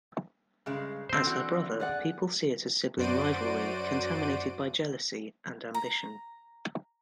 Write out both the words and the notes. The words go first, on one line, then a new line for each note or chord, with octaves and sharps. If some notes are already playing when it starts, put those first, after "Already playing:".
As her brother, people see it as sibling rivalry, contaminated by jealousy, and ambition.
G2 C#3 G#3
C4 C5
D3 E3 F#4
G#4 D5 F#5
F#2 F#4 C5 D5 D7 D#7
A#5